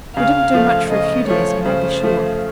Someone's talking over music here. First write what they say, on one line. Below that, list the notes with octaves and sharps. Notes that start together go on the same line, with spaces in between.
We didn't do much for a few days, you may be sure.
C#3 F5
F3 A3
C#3 D#5
F3 A3 C#5
C#3 C5
F3 A3